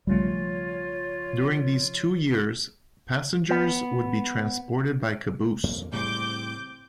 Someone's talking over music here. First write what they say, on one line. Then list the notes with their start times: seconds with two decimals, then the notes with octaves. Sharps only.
During those two years, passengers would be transported by caboose.
0.07 B1 C#3 F3 G3 A3 F4 C#5
3.50 B3
5.63 F2 A#3
5.93 A2 C#3 G3 C4 D6 G6